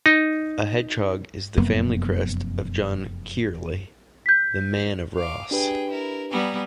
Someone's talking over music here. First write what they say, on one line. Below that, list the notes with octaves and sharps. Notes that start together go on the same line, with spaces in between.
A hedgehog is the family crest of John Kyrle, the "Man of Ross".
D#4
F1 F#2 A#3 B3
G6 B6
F5 D6
D4 G4 G#4 B4 G5
E4 A#4
G3 B3 G#5 A#5